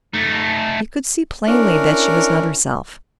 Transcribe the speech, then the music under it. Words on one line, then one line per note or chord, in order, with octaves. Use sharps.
He could see plainly that she was not herself.
A3 D#4
C#4 D4 E4 A#4